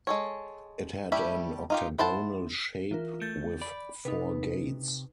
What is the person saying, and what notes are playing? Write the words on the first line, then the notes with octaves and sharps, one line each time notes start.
It had an octagonal shape with four gates.
G#3 A4 C#5
G3 A3 E4 G4 E5
D#4 F4 G4
E4 C5 F#5 A5
E3 F4 A#4
A3 G6 A6
D5 B5
C3 D#4 B4